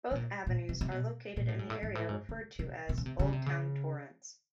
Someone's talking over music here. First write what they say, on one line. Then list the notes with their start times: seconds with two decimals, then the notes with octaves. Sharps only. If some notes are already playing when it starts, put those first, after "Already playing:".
Both avenues are located in the area referred to as Old Town Torrance.
0.11 B2
0.15 A#2
0.47 A#2
0.69 C3
0.81 C3
0.91 B2
1.37 A#2
1.48 A2
1.59 G#2
1.70 A2
1.83 G#2
1.95 A2
2.09 G#2
2.29 C#3
2.59 C3
2.89 C3
2.98 C#3
3.06 C3
3.20 C#3
3.33 C3
3.46 C#3